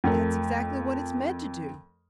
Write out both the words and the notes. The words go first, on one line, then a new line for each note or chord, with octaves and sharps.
"That's exactly what it's meant to do."
F2 A3 A#4